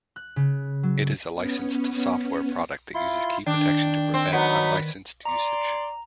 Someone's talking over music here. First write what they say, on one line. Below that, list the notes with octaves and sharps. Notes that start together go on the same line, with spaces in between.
It is a licensed software product that uses key protection to prevent unlicensed usage.
F#6
C#3
F#3
B3 C#4
E4 F4 C6
D#3 D4 G5
C4
F#3 B3 D#4 B5
D5 A#5 C6